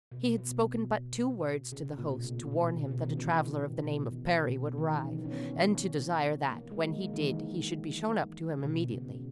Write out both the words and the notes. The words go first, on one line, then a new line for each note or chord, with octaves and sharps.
He had spoken but two words to the host, to warn him that a traveler of the name of Parry would arrive, and to desire that, when he did, he should be shown up to him immediately.
B2
B2
C#3
C#3
A#2
B2
C#3
B2
B2
C#3
B2
D#3
E3
B2
B2
B2
C#3
D#3
D#3
E3
F#3
C#4
B3
A#3
G#3
A#3
G#3
D#3
E3
C#3
B2
C#3